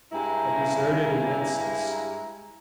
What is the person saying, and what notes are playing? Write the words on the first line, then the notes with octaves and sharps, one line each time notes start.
A deserted immenseness.
G2 G#3 E4 A#5